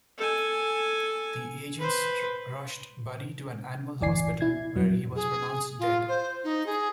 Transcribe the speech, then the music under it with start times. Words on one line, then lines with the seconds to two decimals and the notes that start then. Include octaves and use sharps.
The agents rushed Buddy to an animal hospital where he was pronounced dead.
0.17 A4 G#5
1.78 B4 C5
4.01 G1 D2 E3 D5 G#5 C7
4.41 E4 G#6
4.76 F2 F#3
5.15 G#4
5.79 F4
6.08 C5
6.44 D#4
6.66 G#4